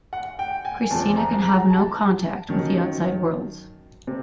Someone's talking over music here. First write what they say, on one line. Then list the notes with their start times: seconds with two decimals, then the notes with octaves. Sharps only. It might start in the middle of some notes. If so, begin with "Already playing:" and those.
Christina can have no contact with the outside world.
0.13 F#5
0.39 G5
0.65 G#5
0.91 E2 C3 F3 G#3 A5
1.17 A#5
1.44 A#5
1.70 A5
2.49 F#2 D#3 F#3
4.07 C3